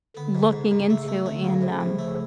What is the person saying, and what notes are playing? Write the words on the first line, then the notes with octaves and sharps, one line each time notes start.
looking into and, um
D3 B3
G#2
G#2 C#3
G#2
A3
A3
D3 A3
C#3
A2 C#3 F3
A2
A3